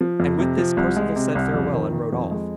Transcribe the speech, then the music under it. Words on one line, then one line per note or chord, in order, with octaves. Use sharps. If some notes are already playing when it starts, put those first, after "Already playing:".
And with this Perceval said farewell and rode off.
F3
F2
C3
F3
C2
G#3
C3
C2
F2
D#3
D#3
F2
G#3